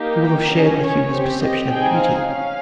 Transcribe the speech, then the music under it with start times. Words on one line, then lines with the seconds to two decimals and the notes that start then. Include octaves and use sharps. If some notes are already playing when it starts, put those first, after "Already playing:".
He will have shared with you his perception of beauty.
Already playing: A#3 D#4 G4
0.22 G5
0.51 C#4 G#4 D#5
0.81 C#5
1.11 C4 G4
1.40 D#5
1.70 C4 D#4 G#4 G5
1.99 F5
2.29 C#4